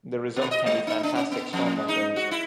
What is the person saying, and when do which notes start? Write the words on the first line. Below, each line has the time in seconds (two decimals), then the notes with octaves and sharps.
The results can be fantastic stone mushrooms.
0.36 B2
0.51 D#5
0.66 G#3
0.87 D#4
1.03 D4
1.15 C#4
1.32 B3
1.53 F2
1.76 G#3
1.89 D#4
2.16 F#4
2.31 E4